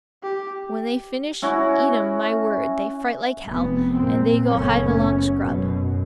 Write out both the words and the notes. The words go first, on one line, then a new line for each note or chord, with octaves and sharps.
When they finish eat ’m, my word, they fright like hell, and they go hide along scrub.
G4
C#4 E4 F#4
F1 B3
A#2 C4
F#1 F#2 A3 B3 C#4
F#2 B2